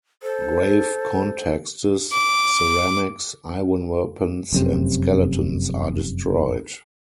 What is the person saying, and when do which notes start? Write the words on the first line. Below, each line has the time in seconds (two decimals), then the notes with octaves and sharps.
Grave contexts, ceramics, iron weapons and skeletons are destroyed.
0.23 A4 C5
2.13 D6
4.53 F1 F#2 C3